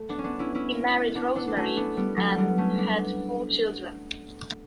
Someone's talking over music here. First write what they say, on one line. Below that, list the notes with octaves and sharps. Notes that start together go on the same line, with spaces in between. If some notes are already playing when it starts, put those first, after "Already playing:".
He married Rosemary and had four children.
Already playing: A3
B3 D4
C#4
B3 D4
C#4 E4
C#4 E4
B3 D4
B3 D4
D4
A3 C#4
B3 D4
G3 B3
F#3 A3
G3 B3
A3 C#4
B3 D4